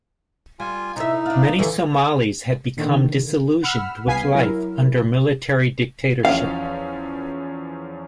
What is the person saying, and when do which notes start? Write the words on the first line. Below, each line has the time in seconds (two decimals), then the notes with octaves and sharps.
Many Somalis had become disillusioned with life under military dictatorship.
0.60 G3 F4 G#5
0.96 C3 D#4 E4 E5
1.26 D4 F4
1.58 F#2 D3 E3 C#6
2.77 A#2 D3 D#3
3.63 F#5 B5 E6 F6
4.06 C2 B3 F5 G#5 B6 C7
4.34 F#3 E4 A#4
6.25 E2 F3 C#4 F5